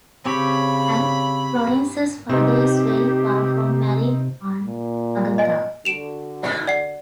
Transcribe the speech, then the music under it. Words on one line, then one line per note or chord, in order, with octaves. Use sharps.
And Florence's father is very far from marrying Aunt Agatha.
C#3 C4 G4 C#5 B5
C3 C4 D#4 G4 B4
A#2
D#5 G#5
D3 F#4 D7 E7 F7
D5 F#5 C7